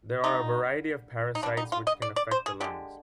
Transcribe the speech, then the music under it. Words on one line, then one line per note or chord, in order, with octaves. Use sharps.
There are a variety of parasites which can affect the lungs.
D3 G3 A#3 D#4
D#4
D3 G3 A#3 D4
D#4
F4
D#5
D5
D5
C5
G#4
D3 G#3 G4